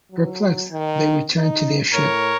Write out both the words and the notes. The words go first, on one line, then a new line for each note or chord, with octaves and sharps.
Perplexed, they return to their ship.
F#3
D#3
D#4
A2 A#4 C#5